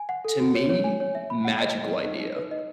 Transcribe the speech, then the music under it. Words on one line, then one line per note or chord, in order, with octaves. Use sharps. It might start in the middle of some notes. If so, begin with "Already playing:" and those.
to me, magical idea,
Already playing: G#5
F#5
A4
F#4
C#5
C#5
G#5
C#5
E5
B5
F#5
D#5
D#5
D#5
D#4
D#4
B4
D#5